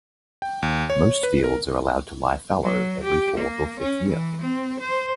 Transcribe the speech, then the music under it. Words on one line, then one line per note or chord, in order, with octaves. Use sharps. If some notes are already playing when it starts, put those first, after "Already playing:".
Most fields are allowed to lie fallow every fourth or fifth year.
G5
D#2
C#5
B4
A#4
F#3
G4
A#3
C#4
E3
C4
C5